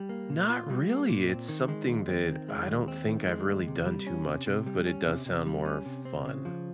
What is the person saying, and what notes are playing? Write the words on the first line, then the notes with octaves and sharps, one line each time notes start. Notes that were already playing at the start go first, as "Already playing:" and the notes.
Not really, it's something that I don't think I've really done too much of, but it does sound more fun.
Already playing: G3
A#3
A#2
F4
G3
A#3
A#2
C4
D#3
G#3
D#2
C4
D#3
G#3
D#2
C4
D#3
G#3
D#2
C3
G3
C#4
C3
C3
G3
C#4
C3
C3
G3
C#4
C3
C4
C#3
F3